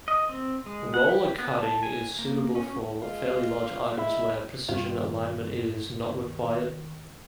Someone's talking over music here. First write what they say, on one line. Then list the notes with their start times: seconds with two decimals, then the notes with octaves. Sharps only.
Roller cutting is suitable for fairly large items, where precision alignment is not required.
0.08 D#5
0.29 C4
0.66 G#3
0.94 F#5
1.09 G4
1.39 B3
1.59 A5
1.83 G#5
2.19 A#3
2.55 C#4
3.02 G#3 F4
3.98 G#3 E4 E5
4.69 G2 D#3 G3 F4